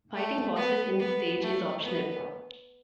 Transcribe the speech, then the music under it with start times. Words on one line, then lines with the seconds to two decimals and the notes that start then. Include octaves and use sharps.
Fighting bosses in this stage is optional.
0.14 A3
0.56 B3
0.99 B3
1.42 A3
1.84 B3